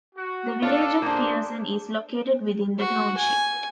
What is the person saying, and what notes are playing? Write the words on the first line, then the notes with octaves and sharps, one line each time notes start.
The Village of Pierson is located within the township.
F#4
D4 F4 A4 C#5
A#3 D4 G4 G#4 C5
F#4
G#5